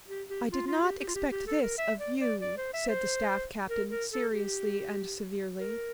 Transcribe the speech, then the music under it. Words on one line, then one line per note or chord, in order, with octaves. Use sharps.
"I did not expect this of you," said the staff captain seriously and severely.
G4
G4
F4
F4
G4
G4
F4
G4
G4
A4
A#4
E5
D5
D5
D5
C5
E5
C5
A#4
A#4
A4
G4
A#4